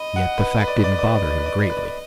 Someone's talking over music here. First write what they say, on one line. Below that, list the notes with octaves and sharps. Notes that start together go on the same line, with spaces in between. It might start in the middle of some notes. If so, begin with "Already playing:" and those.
Yet the fact didn't bother him greatly.
Already playing: D#5 B5
F#5
B4
B4
D5
B4
D5
B4
D5
B4
D5
B4
D5
B4
D5
B4
D5
B4
D5
B4